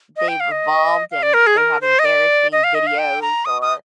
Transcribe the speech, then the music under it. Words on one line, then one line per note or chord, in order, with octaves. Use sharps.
they've evolved and they have embarrassing videos or,
D#5
G5
F5
D#5
F5
D5
A#4
G#4
A#4
C5
D#5
D5
D#5
F5
D#5
F5
G5
A#5
D#6
D#6